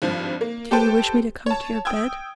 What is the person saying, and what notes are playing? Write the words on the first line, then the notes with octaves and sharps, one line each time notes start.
"Do you wish me to come to your bed?"
G#1 G2 F3
A#3
G4 A4 B4 C5 G5 A5
C#5 A5
G5 D#6 E6 G#6